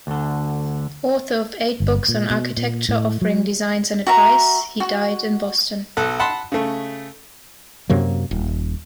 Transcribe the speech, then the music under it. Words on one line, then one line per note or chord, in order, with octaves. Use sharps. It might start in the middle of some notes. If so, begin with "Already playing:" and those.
Author of eight books on architecture offering designs and advice, he died in Boston.
D2 D3
G1
A#2
B2
A#2
A2
F#3
F#4 E5 A#5
F#4
B1 A4 F#6
F#5 A5 B5 C6
C#3 A3
F#2 C3 F#3 A#3
D#1